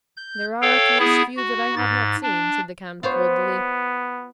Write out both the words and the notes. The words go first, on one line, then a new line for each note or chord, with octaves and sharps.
"There are, at least, few that I have not seen," said the count coldly.
G6
A4 C#5 F5 G5
B3 E4 G#4
F#4
G#2 A6
D4
B3 F4 C5 C#5